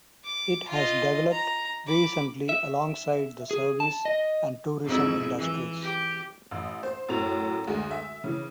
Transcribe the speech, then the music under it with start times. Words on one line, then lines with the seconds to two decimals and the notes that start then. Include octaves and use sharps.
It has developed recently alongside the service and tourism industries.
0.24 D6
0.68 F4 D#5
1.31 A#5
1.87 B5 D6
2.49 E5
3.51 G#4
3.80 A5
4.05 D#5
4.84 F2 G#2 E4
5.38 E3
5.82 G4
6.51 A1
6.83 C5
7.09 F#2 A2 C#4 F7
7.67 D2 G#3
7.91 E5
8.24 C#3 E3